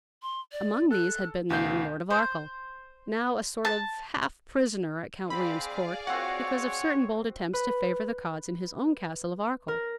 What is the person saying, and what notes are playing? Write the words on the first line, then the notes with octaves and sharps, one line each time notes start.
Among these had been the young Lord of Arkell, now a sort of half prisoner at Count William's court because of certain bold attempts to favor the Cods in his own castle of Arkell.
C6
D5
A4 F#6
D2 B2 F5 G6
C5
A5
C4 G#4 D5 F5 B5
C4 F#4 C#5 F#5
B4
A#4